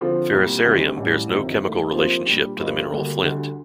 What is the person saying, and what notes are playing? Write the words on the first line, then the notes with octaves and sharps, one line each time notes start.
Ferrocerium bears no chemical relationship to the mineral flint.
D3 F3 C4 F4
C2 A#2 G3
D2 C3 D#3 G3
A1 A2 G3
G1 F2 C3 D#3
G2 D#3 A3
C3 F3 A#3 F4 C5
A#2 G3 D4 G4
G2 F3 A#3 D#4 G4
D2 D3 G3 A#3
D2 D3 G3